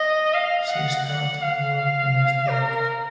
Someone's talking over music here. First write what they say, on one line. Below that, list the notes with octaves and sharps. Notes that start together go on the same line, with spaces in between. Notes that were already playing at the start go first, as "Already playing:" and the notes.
She started work the next day.
Already playing: D#5
F5
F#5
F#5
F5
A#4